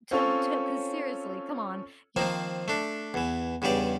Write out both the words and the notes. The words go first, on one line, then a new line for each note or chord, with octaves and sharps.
to to 'cause seriously, come on, you're f
C4 C#4 F4 A4 C#5
D#3 F3 A#3 C4
A3 D4
E2 E3
E2 G2 C#3 G4 D5